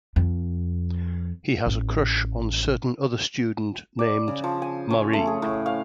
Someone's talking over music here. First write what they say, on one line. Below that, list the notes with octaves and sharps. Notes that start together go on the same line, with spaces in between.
He has a crush on certain other student named Marie.
F2
A1
D5
C#3
F3
G#5
C#4
A3
G#4
A2
F5